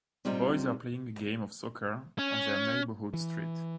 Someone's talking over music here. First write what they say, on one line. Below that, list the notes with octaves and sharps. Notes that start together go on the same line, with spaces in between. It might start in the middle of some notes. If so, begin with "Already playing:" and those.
The boys are playing a game of soccer on their neighborhood street.
C3 G3 C4 D#4 F4
C#4
E3